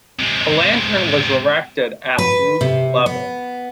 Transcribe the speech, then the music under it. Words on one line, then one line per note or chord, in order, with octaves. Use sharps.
A lantern was erected at roof level.
C3 G#3
B4
C3
B3